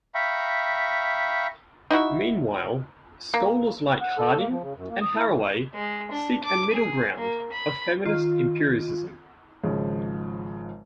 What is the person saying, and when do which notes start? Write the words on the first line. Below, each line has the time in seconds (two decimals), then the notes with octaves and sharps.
Meanwhile, scholars like Harding and Haraway seek a middle ground of feminist empiricism.
0.15 E5 F5 G5 A#5 B5 C#6
1.91 D#4 E4 F#4 E5
3.34 A#3
4.01 F#5
4.18 A4
4.38 A#3
4.50 F3
4.63 C#3
4.76 F#2
4.89 A#3
5.01 D#6
5.15 E4
5.28 E3
5.75 G#3
6.11 D4
6.44 D6
6.74 G#4
7.17 A#3
7.52 B5
8.05 D#3 F4
9.63 G#1 G#2 C#3 F3